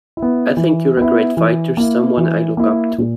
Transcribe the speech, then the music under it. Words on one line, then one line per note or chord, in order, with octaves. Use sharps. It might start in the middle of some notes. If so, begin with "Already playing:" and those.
I think you're a great fighter, someone I look up to.
E4
B3
E3
B3 E4
E3
A#3 E4
E3
A#3 E4
A#2